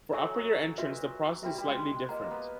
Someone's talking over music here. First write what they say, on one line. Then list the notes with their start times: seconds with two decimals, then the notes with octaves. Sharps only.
For upper year entrance the process is slightly different.
0.12 F#3 A4 C#5 E5 G#5 C#6
0.78 D4 F#4 B4 E5
1.43 G3 D4 F#4 B4 E5
1.58 G3
1.65 G#3
2.08 A#3 B4 D#5 F#5 A#5
2.31 B3